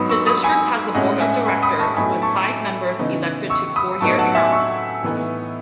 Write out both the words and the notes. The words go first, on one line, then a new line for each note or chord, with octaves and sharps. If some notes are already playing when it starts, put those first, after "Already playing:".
The District has a board of directors, with five members elected to four-year terms.
Already playing: G#2 F#3 B3 D#4 B5 D#6
C#6 E6
B5 D#6
G#5 B5
A2 G#3 C#4 D#5 F#5
E5 G#5
G#5 B5
B5 D#6
A5 C#6
A2 F#3 B3 D#4 G#5 B5
A5 C#6
C#3 E3 B3 D#4
C#6 E6
B5 D#6
A2 F#3 B3 D#4 A5 C#6
F#5 A5
E5 G#5
C#6 E6
A2 E3 B3 D#4